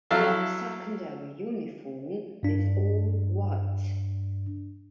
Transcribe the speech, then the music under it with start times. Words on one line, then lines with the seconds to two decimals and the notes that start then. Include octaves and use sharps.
Their secondary uniform is all white.
0.11 F#3 E4 A4 F5
2.43 G2 D4